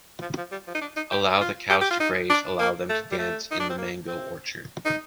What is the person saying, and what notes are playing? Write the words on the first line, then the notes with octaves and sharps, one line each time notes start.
Allow the cows to graze! Allow them to dance in the mango orchard!
F3
F3
G3
F3
D#4
D4
D#4
G4
F4
G4
G4
F4
D#4
D4
A#3
A3
G3
A3
D#4
D4
C4
A#3
C4
D#4